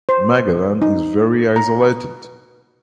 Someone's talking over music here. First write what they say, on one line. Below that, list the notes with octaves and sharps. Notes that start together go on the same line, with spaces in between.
Magadan is very isolated.
C5
D#4
A#5